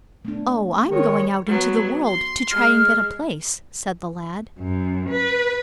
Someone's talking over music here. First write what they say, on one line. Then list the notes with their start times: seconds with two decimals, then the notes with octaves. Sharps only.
"Oh, I'm going out into the world to try and get a place," said the lad.
0.25 A3 B3 D4
0.90 D#3 G#3 C#5
1.47 F#3 B3
2.06 C6
2.52 G#3 F6
4.59 F#2
5.10 B4